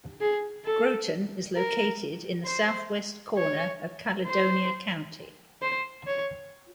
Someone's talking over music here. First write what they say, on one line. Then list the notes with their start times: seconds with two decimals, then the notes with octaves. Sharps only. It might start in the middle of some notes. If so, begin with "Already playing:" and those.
Groton is located in the southwest corner of Caledonia County.
0.21 G#4
0.65 A4
1.56 A#4
2.45 C5
3.36 C#5
4.27 C5
5.62 C5
6.07 C#5